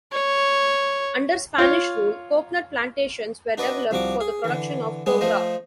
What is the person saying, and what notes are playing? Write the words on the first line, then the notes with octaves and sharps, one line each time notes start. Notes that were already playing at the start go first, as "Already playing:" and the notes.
Under Spanish rule, coconut plantations were developed for the production of copra.
C#5
F4 C#5
D4 F#4 B4 D5 D#5
C2 F3 G3 F#4 D6
G#4
D3 E3
G3 G#3 B3 G#4
F3 A3 C5 D#5